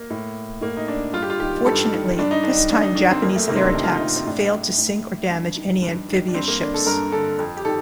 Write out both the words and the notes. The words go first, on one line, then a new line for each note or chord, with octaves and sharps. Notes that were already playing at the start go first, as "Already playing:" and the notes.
Fortunately, this time Japanese air attacks failed to sink or damage any amphibious ships.
Already playing: A#3
A2
A2 A#3
D#4
D4
G2 F4
G4
F4
D#3 G4
G2 A4
D#3
G2 D4
D#4
D#3 D4
D#4
G2 D4
D#4
D#3 D4
C4
F2 A#3
A3
C3 D#3 A#3
C4
D4
F2 D#4
F4
D#4
C3 D#3
C4
A2 D4
A2
G2
D#3
G2
D#3
D4
G2 C4
A#3
D3 D4
A4
G2 A#4
D3 A4
F2
G4
D#3 A4